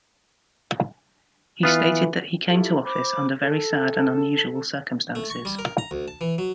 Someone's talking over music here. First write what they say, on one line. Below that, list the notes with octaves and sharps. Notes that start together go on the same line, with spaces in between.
He stated that he came to office under "very sad and unusual circumstances".
E3 B3 F4 F5
E4 F4 G4 A4
C5 B5 D6
A4
A3
C#6
G3
A#4
A#5
D2
A5
E3
F#3